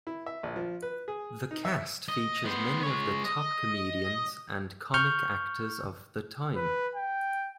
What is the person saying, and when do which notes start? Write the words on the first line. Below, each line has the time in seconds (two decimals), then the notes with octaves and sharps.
The cast features many of the top comedians and comic actors of the time.
0.07 E4
0.26 E5
0.43 A#1
0.56 F3
0.82 B4
1.08 G#4
1.51 D#4
1.65 E5
2.08 D#5
2.45 B3 C5
2.83 G#3 C#5
3.25 D#5
4.94 C#6 F6 G6
6.56 B4
6.95 G5